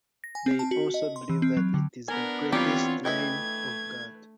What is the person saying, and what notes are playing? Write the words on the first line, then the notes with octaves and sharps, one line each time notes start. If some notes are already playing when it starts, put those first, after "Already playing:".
They also believe that it is the greatest name of God.
A#6
G#5
C4
A5
F#4
D#5
C6
E3
C4
F#3
D3
B3 D4 A#4 G#5
E3 G3 A#3 C4 F4 G4 C#5 F#5
E3 A3 B4 D#5 E5 G5 G#6